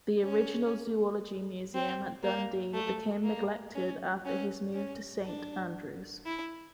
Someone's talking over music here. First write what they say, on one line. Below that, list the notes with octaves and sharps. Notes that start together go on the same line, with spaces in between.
The original Zoology Museum at Dundee became neglected after his move to Saint Andrews.
C#4
C4
A#3
A3
A#3
C#4
C#4
C#4
D4
E4